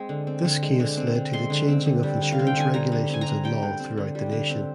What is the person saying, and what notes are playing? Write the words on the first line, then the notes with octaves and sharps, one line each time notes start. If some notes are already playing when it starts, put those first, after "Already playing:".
This case led to the changing of insurance regulations and law throughout the nation.
Already playing: G#3 C4
D3
C4
D3
G#3
D3
C4
D3
G#3 C6
D3
C4
D3
G3
D3
F5
C4
G5
D3 G#5
G3 A#5
D3
C4 G#5
A#5
D3
G3 G5
D3
C4
D3
G3
D3
C4